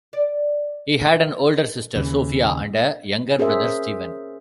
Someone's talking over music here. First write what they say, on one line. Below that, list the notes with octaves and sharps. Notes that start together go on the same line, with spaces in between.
He had an older sister, Sophia, and a younger brother, Steven.
D5
D#2 C#3 E3
C#4 G#4 A#4 C5 E5